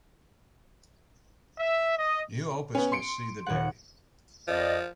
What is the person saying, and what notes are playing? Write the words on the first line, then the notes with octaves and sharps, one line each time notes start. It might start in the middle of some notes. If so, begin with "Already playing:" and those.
New opus will see the day.
E5
D#5
B3 C#4
C6 C#7 D7
D#1 F#5
F2 F3 D5 D#5